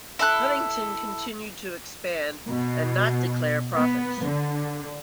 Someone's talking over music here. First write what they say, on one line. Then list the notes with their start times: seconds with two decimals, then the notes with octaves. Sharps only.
Huntington continued to expand and not declare profits.
0.19 E4 A4 F#6
2.48 B2
3.75 B3
4.24 D3